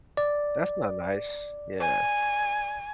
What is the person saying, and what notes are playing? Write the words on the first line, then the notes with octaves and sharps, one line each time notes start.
That's not nice. Yeah.
D5
G#5